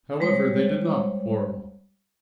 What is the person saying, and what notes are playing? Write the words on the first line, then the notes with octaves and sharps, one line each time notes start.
However, they did not quarrel.
G3 G#3 C5 C#5